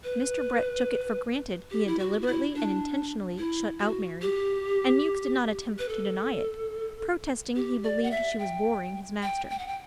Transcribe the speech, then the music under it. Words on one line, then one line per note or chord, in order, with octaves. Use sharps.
Mr. Brett took it for granted he had deliberately and intentionally shut out Mary, and Mewks did not attempt to deny it, protesting he believed she was boring his master.
B4
G4
E4
F#4
F#4
E4
D4
E4
F#4
G4
B4
A4
G4
D5
F#5
E5
G5
G5
G5
F#5
G5